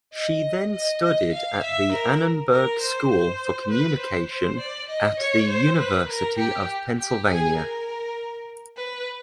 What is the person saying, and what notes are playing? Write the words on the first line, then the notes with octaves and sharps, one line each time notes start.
She then studied at the Annenberg School for Communication at the University of Pennsylvania.
D#5
D#5
D#5
F5
E5
A#4
A#4
C5
C5
B4
C5
C5
D5
D#5
C#5
C5
B4
A#4
G4
G4
G#4
A#4
B4